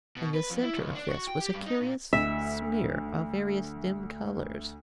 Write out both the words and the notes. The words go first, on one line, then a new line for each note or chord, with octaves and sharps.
In the center of this was a curious smear of various dim colors.
B2
B4
F2
E4
C#2
D4
F#4
G5
G4
G2
D#4
A#2
D2 E5